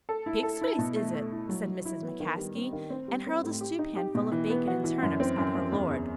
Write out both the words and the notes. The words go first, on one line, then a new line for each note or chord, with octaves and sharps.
"Pig's face, is it?" said Mrs. McCaskey, and hurled a stewpan full of bacon and turnips at her lord.
A4
E4
A4
E4
B2
A3
A3
E4
F#3
F#3
E4
B3
D#3
G3
C4
D#3
C4
G3
C4
A2
G4
D#4
G4
B2
E3
B3
F#4
E3
F#2
C4
F#2
F#2
E2
E2